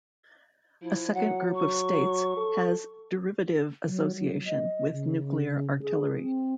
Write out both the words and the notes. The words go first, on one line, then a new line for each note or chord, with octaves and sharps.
A second group of states has derivative association with nuclear artillery.
F3 E4
F#3 F#5
C#6
A4
F#3
F#3
D#5
C#3
G#4
C4